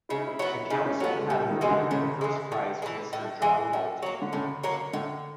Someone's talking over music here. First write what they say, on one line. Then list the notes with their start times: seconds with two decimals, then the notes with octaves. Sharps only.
The Council had awarded the first prize to Mr. John Dalton.
0.09 C#3 E4
0.18 D#4
0.27 E4
0.39 F#3 B3
0.63 E4
0.70 C#3 D#4
0.86 C#4
1.00 F#3 A3 B3
1.16 G#3
1.30 A2 G3
1.50 D#3
1.61 E3 G#3
1.70 D3
1.91 A2 C#3
2.21 E3 G#3
2.52 A2
2.82 G#3
2.86 E3
3.13 A2
3.42 E3 G#3
3.73 A2
4.02 F#3 A#3
4.21 D3
4.33 A2 C#3
4.63 F#3 A#3
4.93 A2 D3